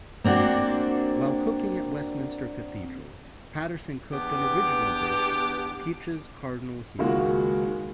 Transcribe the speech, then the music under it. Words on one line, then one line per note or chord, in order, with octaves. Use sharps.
While cooking at Westminster Cathedral, Paterson cooked an original dish, "Peaches Cardinal Hume".
A#3 C4 D4 F#4 D5
E2 B3 D4 G4
C#2 D#3 G#3 A#3 F4 F#4